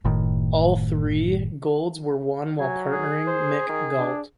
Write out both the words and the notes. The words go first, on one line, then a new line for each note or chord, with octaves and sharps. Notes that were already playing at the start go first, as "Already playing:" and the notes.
All three golds were won while partnering Mick Gault.
F#1 A2 D#3
F#3 G#5
G#4
C5
D#3
D4